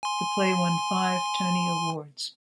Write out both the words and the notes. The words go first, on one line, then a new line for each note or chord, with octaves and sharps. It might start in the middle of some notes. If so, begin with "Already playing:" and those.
The play won five Tony Awards.
G#5 C6